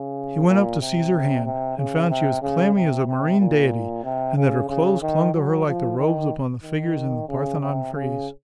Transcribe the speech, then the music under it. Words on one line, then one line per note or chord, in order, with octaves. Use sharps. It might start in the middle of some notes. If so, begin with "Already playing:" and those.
He went up to seize her hand, and found she was clammy as a marine deity, and that her clothes clung to her like the robes upon the figures in the Parthenon frieze.
Already playing: C#3
A#2
C3
C3
C#3
C3
C#3
C3
C3
A#2
C3
C#3
C#3
D#3
F#3
F3
D#3
D#3
C#3
C3
C#3